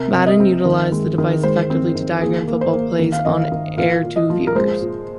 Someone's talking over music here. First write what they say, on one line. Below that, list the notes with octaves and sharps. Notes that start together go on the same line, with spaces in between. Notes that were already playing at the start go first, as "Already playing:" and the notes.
Madden utilized the device effectively to diagram football plays on-air to viewers.
Already playing: C3 A#4
C3
D#5
C4
D#3
G#3
D#3
G#3 C5
C4
D#3
A#3 G#4
A#3
C5
A#3
D#3
F5
D#3 D#5
F5
D#3
A#2 F5
A#2
D#5
F3
A#4
G#3 C5
A#2